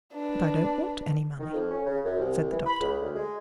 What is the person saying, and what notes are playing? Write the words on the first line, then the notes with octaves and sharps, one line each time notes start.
"But I don't want any money," said the Doctor.
D4 B4
D#3
F2
C#4
C#3
F#2
C2
E3
B5
C#2
D2
G#3